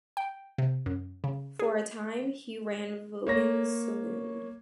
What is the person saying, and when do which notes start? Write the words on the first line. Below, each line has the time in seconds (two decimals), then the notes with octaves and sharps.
For a time he ran Vogan's Saloon.
0.17 G5
0.58 C3
0.86 F#2
1.24 C#3
1.59 G#4
3.27 A#3 C#5 A#6